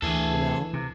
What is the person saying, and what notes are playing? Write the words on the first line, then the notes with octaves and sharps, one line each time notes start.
you know?
D2 E3 G#4 A4
C3